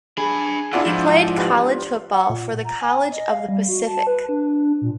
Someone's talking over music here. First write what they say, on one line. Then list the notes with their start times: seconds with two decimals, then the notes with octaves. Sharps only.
He played college football for the College of the Pacific.
0.18 D4 G#4 B5
0.73 G2 D4 E4 F4 D5 E5 F#5
0.86 G#2 F3
1.37 F4 G4 B4
2.12 F#5
2.30 A#2
2.64 A#5
2.81 G#5
3.12 D#5
3.31 F5
3.49 G3
3.68 F#4
3.86 A5
4.07 B4
4.29 D4
4.81 A#2